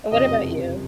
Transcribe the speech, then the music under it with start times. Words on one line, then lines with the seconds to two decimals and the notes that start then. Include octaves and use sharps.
And what about you?
0.11 F#1 F2 C3 D#5